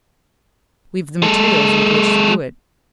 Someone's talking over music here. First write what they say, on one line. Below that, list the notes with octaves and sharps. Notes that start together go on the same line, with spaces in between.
We've the materials with which to do it.
G#3 A4